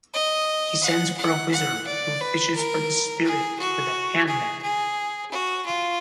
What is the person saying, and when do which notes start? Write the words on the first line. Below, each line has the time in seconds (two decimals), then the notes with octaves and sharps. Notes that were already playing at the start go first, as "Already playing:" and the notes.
He sends for a wizard, who fishes for the spirit with a hand-net.
0.13 D#5
0.83 F#5
1.17 F#5
1.52 F#5
1.87 D5
2.21 B4
2.55 A#4
3.25 G#4
3.59 F#4
4.28 G#4
4.62 G#4
5.31 F#4
5.66 F4